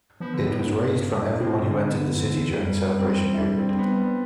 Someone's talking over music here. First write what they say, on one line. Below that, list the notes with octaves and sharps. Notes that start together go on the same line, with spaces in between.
It was raised from everyone who entered the city during the celebration period.
F3 B3
D3
A2
G2
A2 C4
B2
D4
D3
B3
G3
C4
E4
D4
C4
C4
B3